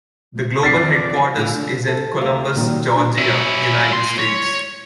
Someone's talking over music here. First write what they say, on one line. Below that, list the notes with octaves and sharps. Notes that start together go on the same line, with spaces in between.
The global headquarters is in Columbus, Georgia, United States.
F2 F3 D5 A6 B6 C7
A2 E3 E4 F4 G#4 F5
D3
A4
D2 F5
A#2 D#3 F#3 G3
D4
C#4 E4
A#2 C6
C#5